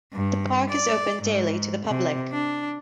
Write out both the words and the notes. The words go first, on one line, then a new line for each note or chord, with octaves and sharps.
The park is open daily to the public.
G2
D5
G#2
C3
D4